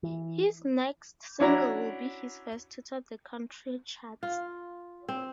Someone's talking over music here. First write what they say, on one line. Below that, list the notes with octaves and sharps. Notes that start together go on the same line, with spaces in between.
His next single would be his first to top the country charts.
E3
C#4 D4 E4 F#4 A#5
F4
C4